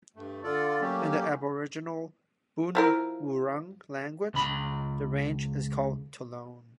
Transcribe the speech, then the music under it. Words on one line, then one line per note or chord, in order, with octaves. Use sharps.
In the Aboriginal Boonwurrung language, the range is called Tolone.
G2 A3
D3 F4 A4 D5
F#3 A3 A#3 C#4 G4
F3 E4 A#4
C#2 B5